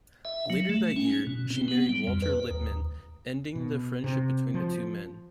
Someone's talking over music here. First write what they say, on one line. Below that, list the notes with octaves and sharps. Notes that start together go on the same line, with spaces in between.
Later that year, she married Walter Lippmann, ending the friendship between the two men.
E5
F#3
A3
C#4
B2
C4
B3
G3
F2
B4
D#2
B2
C3
F3